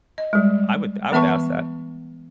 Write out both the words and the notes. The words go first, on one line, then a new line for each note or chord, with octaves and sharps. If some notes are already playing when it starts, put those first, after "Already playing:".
I would th I would ask that.
D#5
G3 G#3
E3 B3 E5 A5 C#6